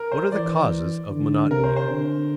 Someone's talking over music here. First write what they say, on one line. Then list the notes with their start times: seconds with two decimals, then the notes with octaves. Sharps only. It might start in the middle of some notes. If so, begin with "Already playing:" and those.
What are the causes of monotony?
Already playing: A#4
0.12 C5
0.32 E3 D5
1.10 D3
1.50 C3 A#4
1.64 C5
1.77 C5
1.90 D3